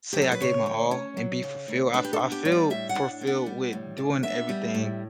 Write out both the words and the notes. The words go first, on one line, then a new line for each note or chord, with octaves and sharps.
say I gave my all, and be fulfilled I f I feel fulfilled with doing everything
F#3 G4
A4
B4
C#3 C#5
D2
C#4
F#3
C#3
D2
D4 B4
G4
A4
B3
G4
G3 C#5
D5
A2 E5
F#5
D4
B3
F#5
G3
A2
D4
B3 E5
G3
A2